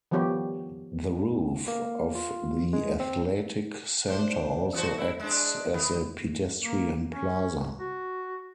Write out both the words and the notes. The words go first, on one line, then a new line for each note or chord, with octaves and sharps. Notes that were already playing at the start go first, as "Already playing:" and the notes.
The roof of the athletic center also acts as a pedestrian plaza.
D#3 F3 G3 B3 G4 C#5
A#3
F4
G#3
C4
D4 C5
E3 F#4 C5
E4
G#3 D4
D#3 B3
A#3
C#4
F#4